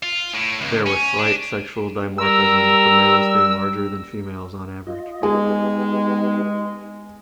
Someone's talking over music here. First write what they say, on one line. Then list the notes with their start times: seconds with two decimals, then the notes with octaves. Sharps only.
There was slight sexual dimorphism with the males being larger than females on average.
0.03 F4
0.34 A2
0.61 C#2
0.86 C#4
1.19 D4
2.18 G3 A#4 E6
4.87 F4 D#5
5.23 G#3 B3 D#4 G4 G#4